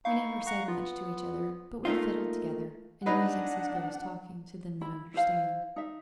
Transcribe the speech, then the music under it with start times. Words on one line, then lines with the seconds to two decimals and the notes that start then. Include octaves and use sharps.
We never said much to each other, but we fiddled together, and music's as good as talking to them that understand.'
0.05 D#4 E4 F5 C#6
0.46 F#5 A#5 C#6
0.68 B3 F4
1.85 A3 A#3 D#4 F4
3.06 F#3 D4 D#4 B4 F#5
4.81 E4 B5
5.14 E4 C5 F5
5.76 D#4 E5